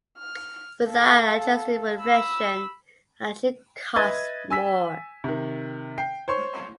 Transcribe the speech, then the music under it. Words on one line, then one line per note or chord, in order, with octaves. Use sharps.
Without adjusting for inflation, it actually cost "more".
F6
A4 F5
B5 E6
B4 D#5 E5 G#6 A6
G#5 E6 B6
C3 D#3
G5 C7
C5 C#5 C6 C#6